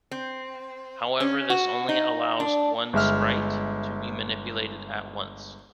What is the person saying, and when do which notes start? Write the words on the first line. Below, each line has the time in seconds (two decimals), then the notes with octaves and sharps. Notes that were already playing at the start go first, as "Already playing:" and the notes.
However, this only allows one "sprite" to be manipulated at once.
0.11 C4
1.20 C#4
1.50 F#4
1.89 D#4
2.40 D4
2.93 G1 G#3 E5 F6